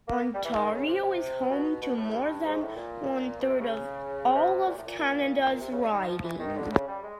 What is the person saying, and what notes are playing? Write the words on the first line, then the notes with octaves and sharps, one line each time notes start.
Ontario is home to more than one third of all of Canada's ridings.
A#3
G3
E3
D#3
C#3
C3
B2
B2
A2
G2
G#2
A2
A#2
B2
C3
C#3
C3
A#2
A2
A#2
A#2
C3
C#3
D3
D#3
F3
E3
D#3
D3
C#3
G3
G#3